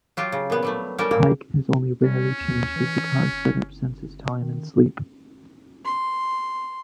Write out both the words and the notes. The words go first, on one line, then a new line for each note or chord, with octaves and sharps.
Pike has only rarely changed his guitar setup since his time in Sleep.
F#3 F4 G4
C#3
A#2 B3
F#3 G3 A3
G3 C#4 A4 A#4 G5
A#3
G3 C#4
D#2
E3
G1
D#3
C6